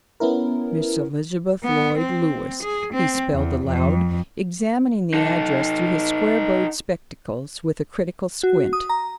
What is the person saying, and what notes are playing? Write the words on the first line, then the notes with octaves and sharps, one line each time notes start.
"Miss Elizabeth Lloyd Lewis," he spelled aloud, examining the address through his square-bowed spectacles with a critical squint.
B3 C#4 E4 A#4
B3
C4
G#4
C4
E2
F2
D#4 A4
F#4
D#6
A#5